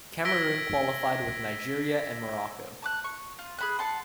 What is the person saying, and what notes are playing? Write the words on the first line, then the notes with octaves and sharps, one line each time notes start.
Cameroon qualified with Nigeria and Morocco.
E6 G#6 A#6 B6 D7 G7
A5 D6 F#6
C#6
F4
G#4 B5 F#6
F#5 A5 C6